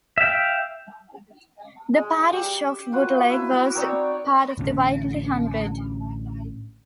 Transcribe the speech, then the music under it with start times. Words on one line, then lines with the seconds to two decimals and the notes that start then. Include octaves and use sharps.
The parish of Butleigh was part of the Whitley Hundred.
0.18 E5 F5 G5
1.94 G#3
2.33 G4 E5
2.92 F4 F#4 B4
3.30 E4 B4
3.75 C4 D#4 C#5 D5
4.58 A1 D3 G3 C#4